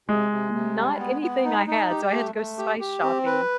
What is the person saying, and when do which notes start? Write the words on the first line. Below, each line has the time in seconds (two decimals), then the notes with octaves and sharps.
not anything I had, so I had to go spice shopping,
0.08 C3 G#3
0.31 C3
0.54 C3
0.77 G3
0.99 B3
1.22 B3
1.45 D#4
1.67 D#4
1.90 G4
2.12 A3
2.35 A3
2.58 G4
2.80 G4
3.03 C4
3.26 B4